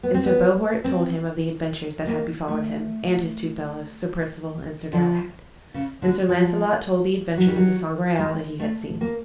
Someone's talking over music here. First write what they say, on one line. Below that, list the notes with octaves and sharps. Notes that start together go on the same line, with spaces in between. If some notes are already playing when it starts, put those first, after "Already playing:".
And Sir Bohort told him of the adventures that had befallen him, and his two fellows, Sir Perceval and Sir Galahad. And Sir Launcelot told the adventures of the Sangreal that he had seen.
B3
C4
B3
C4
A#3
A3
F3
C#3
D3
F3
F#3
G3
F#3
G#3
A3
A#3